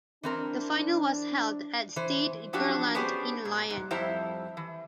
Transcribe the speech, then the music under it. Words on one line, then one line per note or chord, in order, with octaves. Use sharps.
The final was held at Stade Gerland in Lyon.
E3 C4 D4 A#4
E3 C5
F3 F#3 D4 F#4 G4
B3 C#4 D4 G4 G#4 C5
A#2
G#2
F2 G3 E4 C5 A#5
E3